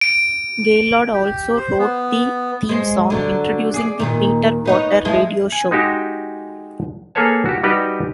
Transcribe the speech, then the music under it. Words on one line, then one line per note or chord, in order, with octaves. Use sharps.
Gaillard also wrote the theme song introducing the Peter Potter radio show.
D7
G4
C5
B3
G#3 C5
D3 F#3
G#4 D5
D#2 A#2 D#3
B3 D#4 C#5
F3 G#3 E4
G#5
G#3 D#4 F#4 G4
A#3 G#4 A4 B4 C#5 A5
F#4 G4
G3 D#4 F#4 G4 B4